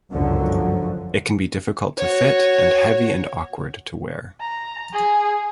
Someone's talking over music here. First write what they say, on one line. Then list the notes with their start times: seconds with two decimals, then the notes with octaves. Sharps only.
It can be difficult to fit and heavy and awkward to wear.
0.11 G1 C#2 F#2 D3 F3 F#3
1.98 F#4 C#5
4.41 A#5
4.93 G#4